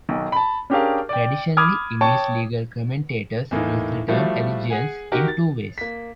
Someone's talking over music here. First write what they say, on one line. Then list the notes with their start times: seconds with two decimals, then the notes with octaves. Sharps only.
Traditionally, English legal commentators used the term "allegiance" in two ways.
0.09 B1 D#3
0.32 A5 B5
0.70 C#4 D4 G4 G#4 A#4 F5
1.09 D5 G5
1.57 B5 D6 D#6 F6 G#6
2.01 C#5 G5 A5 C#6
3.51 E2 A2 A#3 D#4
4.08 F3 G3 A3 E4 F#4
4.70 G#4 F#5 G#5
5.12 D#4 F#4 G4 A#4
5.28 A6
5.78 A#3 B6